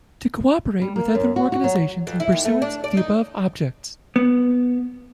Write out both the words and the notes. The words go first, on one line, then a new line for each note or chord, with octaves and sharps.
To co-operate with other organisations in pursuance of the above objects.
G3
A#3
F#2
F#4
F#4
F#3
F2
E4
D#2
A3
D4
D5
D#4
B3